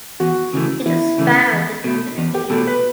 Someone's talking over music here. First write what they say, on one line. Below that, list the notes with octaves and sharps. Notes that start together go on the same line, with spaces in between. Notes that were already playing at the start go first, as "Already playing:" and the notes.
It is found in the Philippines.
E2 F#4
C#3 E3 A3
E2 E4
C#3 E3 A3
E2
B2 A3
E2
G4
B2 A3 A4
B4